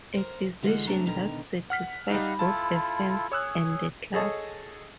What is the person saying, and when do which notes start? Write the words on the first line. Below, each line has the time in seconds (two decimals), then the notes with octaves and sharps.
A decision that satisfied both the fans and the club.
0.14 A#4 C5
0.63 D3 E3 G#3 C#4 F4 F#4
0.87 C3 G3 A3 D4 A#5
1.06 B2 D3 D#3 A#5
1.70 F#5 F6 B6
2.11 G3 D#4 F5 F#5 B5
2.39 E4 F4 A4 A5
3.32 G#4 C#5 E6 F#6
4.14 G#4 A4 C#5 D#5 A5